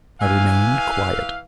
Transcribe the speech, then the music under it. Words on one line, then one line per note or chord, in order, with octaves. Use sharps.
I remained quiet.
E3 F5 G#5